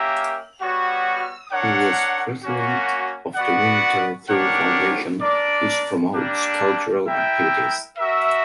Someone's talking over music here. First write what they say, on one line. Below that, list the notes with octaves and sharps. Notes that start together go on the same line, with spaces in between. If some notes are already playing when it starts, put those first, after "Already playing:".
He was President of the Winterthur Foundation, which promotes cultural activities.
Already playing: A#3 C#4 G4 A#4 E5
G3 B3 F#4 C#5
D4 A#4 C#5 F#5
A#3 C#4 F#4
B3 F#4 B4 D5 F#5
D4 G4 A#4 C#5 F#5
D4 A#4 D5
G3 A#3 D4
E4 A#4 E5 G5
F#4 A#4 E5